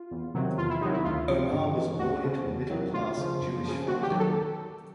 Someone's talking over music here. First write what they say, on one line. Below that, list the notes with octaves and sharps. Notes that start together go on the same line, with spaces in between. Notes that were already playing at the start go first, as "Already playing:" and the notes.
Omarr was born into a middle class Jewish family.
Already playing: F4
E2
C3 D#3 F#3
E2 F4
E4
C3 D#3 F#3 D#4
E4
D2 F4
C3 F3
G2
E3
D2 F#4
C#3 F3
E2
C3 D#3 F#3
D2 F4
C#3 F3
F#2
C#3 F3
D#2 F#4
G4
D#3 F#3
A4